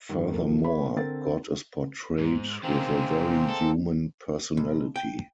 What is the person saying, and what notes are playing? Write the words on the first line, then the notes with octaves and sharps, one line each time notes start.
Furthermore, God is portrayed with a very human personality.
G2 D#3
B1 F3 A4 A#4
B4 C#5 B5
D3 C4 A4 A#4 A6
G#2
C3 D#3 G#3 A#3 C4
A4
B1
G5